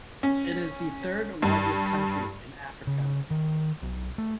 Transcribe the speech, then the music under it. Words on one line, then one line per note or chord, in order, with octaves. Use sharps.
It is the third largest country in Africa.
C#4
G2
C#3
D#3
B1
A3